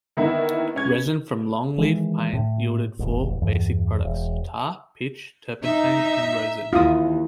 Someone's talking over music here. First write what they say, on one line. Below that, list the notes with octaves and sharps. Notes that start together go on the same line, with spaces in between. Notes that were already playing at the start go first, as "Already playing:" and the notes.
Resin from longleaf pine yielded four basic products: tar, pitch, turpentine and rosin.
D3 D#3 A#3 B3 D#4 E4
C#3 C#4 G#6
D#3 E3 G#3
A2
E1 A1
E2 G2
E1
D#4 E5
D#2 E4 F4 D#6